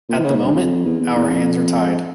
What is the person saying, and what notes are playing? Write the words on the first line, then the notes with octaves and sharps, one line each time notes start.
At the moment, our hands are tied.
A#2
E3
C#3
G#2
G2
F2
E2
E2
E2
F2